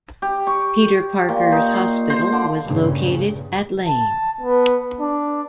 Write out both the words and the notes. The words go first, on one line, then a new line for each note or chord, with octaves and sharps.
Peter Parker's hospital was located at Lane.
G4
C#6
A#2
D#4
F5
C5
D3
G2 A#2 C#3
A5
B3
D4